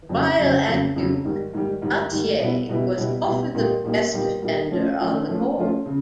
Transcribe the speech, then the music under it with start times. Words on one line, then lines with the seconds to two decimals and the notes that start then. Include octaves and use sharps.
While at Duke, Battier was often the best defender on the court.
0.09 F2 C#3 F#3
0.38 F2 C#3 F#3
0.68 F2 C#3 F#3
0.96 F2 C#3 F#3
1.25 G#2 D#3 G3
1.54 G#2 D#3 G3
1.82 G#2 D#3 G3
2.11 G#2 D#3 G3
2.40 B2 G3 B3 E4
2.69 B2 G3 B3 E4
2.98 B2 G3 B3 E4
3.27 B2 G3 B3 E4
3.55 A#2 G3 A#3 D#4 G4
3.84 A#2 G3 A#3 D#4 G4
4.13 A#2 G3 A#3 D#4 G4
4.42 A#2 G3 A#3 D#4 G4
4.71 F3 A3 C#4 F4
5.00 F3 A3 C#4 F4
5.28 F3 A3 C#4 F4
5.58 F3 A3 C#4 F4
5.86 C#3